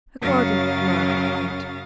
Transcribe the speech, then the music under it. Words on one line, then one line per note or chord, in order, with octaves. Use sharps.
Accordingly Margaret went.
F#2 C#3 F#3 F5 D#6 A6